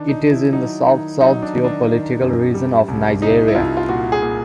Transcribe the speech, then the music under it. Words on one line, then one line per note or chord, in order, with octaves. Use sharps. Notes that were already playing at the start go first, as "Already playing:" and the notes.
It is in the South-South geo-political region of Nigeria.
Already playing: D#3 D4
D#4
D#3
E4
F#3 D#4
D#3 D#4
F#3 D#4
D4
D#3
D4
D#3
F#2
G3
C2
C2 D#4
E4
C2 F4
F4
A#2 F#4
G#4
A#2